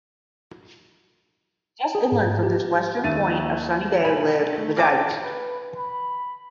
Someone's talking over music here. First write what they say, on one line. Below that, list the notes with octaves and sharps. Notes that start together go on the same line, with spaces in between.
Just inland from this western point of Sunny Bay lived the Dykes.
G#4
G#2
G4
D#2 E5 A6 D#7
B1 G#5 B5
A3
D5 F5 G5 A5 D6
B4
B5